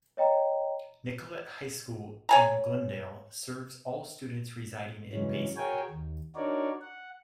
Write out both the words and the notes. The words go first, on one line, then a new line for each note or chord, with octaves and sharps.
Nicolet High School in Glendale serves all students residing in Bayside.
C#5 D#5 G5 A#5
C#5 G#5 A#5
C#3 E3 F#3 G#3 C#4
F#4 G#4 A#4 C#5 G5 G#5
D#2
D4 D#4 F#4 A#4 C#5 D5
F#5